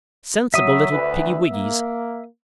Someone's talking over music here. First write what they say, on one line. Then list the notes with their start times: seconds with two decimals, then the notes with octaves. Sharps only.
Sensible little piggywiggys.
0.54 F#3 E5 D#6
0.91 D2 B4
1.50 A#3